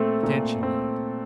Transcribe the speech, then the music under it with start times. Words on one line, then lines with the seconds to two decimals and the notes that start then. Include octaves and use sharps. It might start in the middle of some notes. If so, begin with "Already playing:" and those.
"Attention, then!"
Already playing: A#2 A3 C4 A4
0.23 A#2
0.61 A3 C4